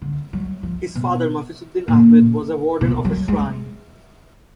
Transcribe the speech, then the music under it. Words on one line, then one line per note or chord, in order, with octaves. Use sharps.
His father, Mafizuddin Ahmed, was a warden of a shrine.
D3
F#3
F3
B2
A#2
B2
F#3
G#3